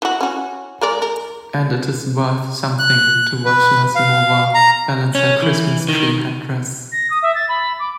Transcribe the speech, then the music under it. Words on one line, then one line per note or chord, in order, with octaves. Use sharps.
And it is worth something to watch Nazimova balance her Christmas-tree headdress!
E3 F#4
C#4 F#4
G#3 A#4 D5
A#4
F#6
B4
F5
A#5
C#4
E3
D#3
A#6
D#6
E5
A6
B5
D6